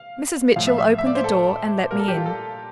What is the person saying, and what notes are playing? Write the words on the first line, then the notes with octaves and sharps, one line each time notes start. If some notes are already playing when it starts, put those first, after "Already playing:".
Mrs. Mitchell opened the door, and led me in.
Already playing: F5
A2 F3 A3 F5
E5
E5
E5
D5
C5
A4
A#2 G3 A#3 A#4
A4
G4
F4
A4